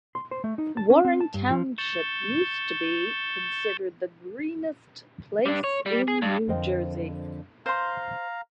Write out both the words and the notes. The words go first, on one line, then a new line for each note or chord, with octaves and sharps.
Warren Township used to be considered the greenest place in New Jersey.
C6
C5
A3
D#4
A5
C#4
C4
A5
G2
F3
C#6 E6 G6 A6
G3 D4
C#5
G3
G#4
G2
F2 D3 A#4 C5 D#5 G5
C5 F5 A#5 C6